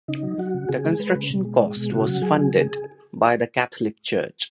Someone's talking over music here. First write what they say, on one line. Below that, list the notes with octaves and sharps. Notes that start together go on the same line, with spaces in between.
The construction cost was funded by the Catholic Church.
C#3 D#4
F#3
F#3 F#4
C#3
C#3 G#4
G#3
G#3 B4
C#3
B2
G#3
G#3
B2
C#3 F#4
F#3
F#3 G#4
C#3